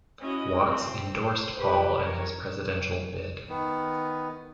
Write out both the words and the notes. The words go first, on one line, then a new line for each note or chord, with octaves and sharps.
Watts endorsed Paul in his presidential bid.
C#4 E4 F#4 D#5
C4
C5
G4 B4
A#4 C#5
D#3 B3